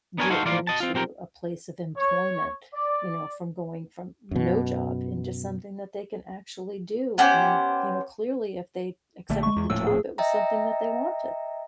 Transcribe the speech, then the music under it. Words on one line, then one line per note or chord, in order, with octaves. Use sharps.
get into a place of employment, you know, from going from no job into something that they can actually do, and, you know, clearly if they accepted the job, it was something that they wanted.
B3 D4 A#4 C#5 G#5
D#4 F#4 A4 C5 F5
A2 E3 A#3 F4 D5 F5
D#5 A5
C4 F4
B1 C4 G4 A#4
C#5
D5
F#2 B2
B3 C#4 G4 C5
A#1 D3 A3
G#3 C#6
E2
D#1 A2 F3 E6
G#4
D#5 E5 G5 A#5